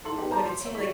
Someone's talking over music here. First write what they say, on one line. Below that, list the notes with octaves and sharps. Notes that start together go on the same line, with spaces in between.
but it seemed like
G#2 E4 A4 C6 F#7
B3 D#4 G4
A#4 C5 A5 A#5 D6 G6
C6
C#5 E5
E4 C#6 B6